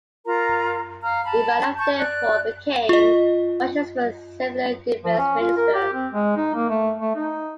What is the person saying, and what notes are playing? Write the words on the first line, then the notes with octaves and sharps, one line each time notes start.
Ivanov therefore became Russia's first civilian Defense minister.
F4 A#4 A#5
F5 A#5 F6
A5 B5
A5 C#6 G6
D5 F#6
F4 D#5
F3
C#4
F4
A#4
G4
C4
G#3
D#4
A#3
A3
A3
D#4